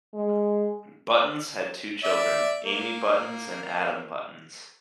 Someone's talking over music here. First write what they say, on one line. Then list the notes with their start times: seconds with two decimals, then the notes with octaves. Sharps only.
Buttons had two children, Amy Buttons and Adam Buttons.
0.14 G#3
2.04 D5 E5
2.64 A#3